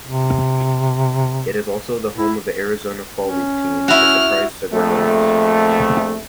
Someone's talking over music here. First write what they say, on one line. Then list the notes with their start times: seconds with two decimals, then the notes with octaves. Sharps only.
It is also the home of the Arizona Fall League team, the Surprise Saguaros.
0.07 C3
2.17 E4
3.21 C#4
3.88 E4 F#4 F6
4.73 A#1 F2 A3